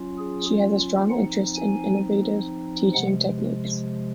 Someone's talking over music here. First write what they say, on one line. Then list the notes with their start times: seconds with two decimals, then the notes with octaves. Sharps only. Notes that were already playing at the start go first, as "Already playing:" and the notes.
She has a strong interest in innovative teaching techniques.
Already playing: F#3 C#4 F4
0.18 G#4
1.09 F3 C4 D#4 F#5
1.56 G#5
2.93 C3 F3 G#3 F#5